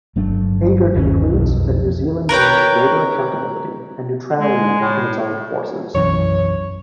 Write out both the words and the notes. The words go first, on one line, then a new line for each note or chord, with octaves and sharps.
Hager concludes that New Zealand needs greater accountability and neutrality in its armed forces.
G1 F#3 A3 D4
G1 D#2 C4 C#4
B1 F2
A#4 B4 C#5 G5
G#3
A2
B1 F#2 E3 C#5